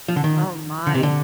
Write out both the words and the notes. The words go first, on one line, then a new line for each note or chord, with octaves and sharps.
Oh my,
F3
D3
D#3
D3
C3
D3